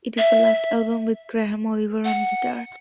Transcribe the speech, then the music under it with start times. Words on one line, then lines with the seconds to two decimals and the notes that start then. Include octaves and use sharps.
It is the last album with Graham Oliver on guitar.
0.18 E5
2.05 F#5